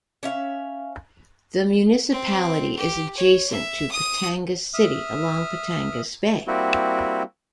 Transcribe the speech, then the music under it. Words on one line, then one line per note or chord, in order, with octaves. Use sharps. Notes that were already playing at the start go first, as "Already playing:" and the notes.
The municipality is adjacent to Batangas City, along Batangas Bay.
C#4 E5 F5
C4
G4
C#5
E5
D#6
E5 D#6 F6
G3 A#3 C4 E4 F#4 G4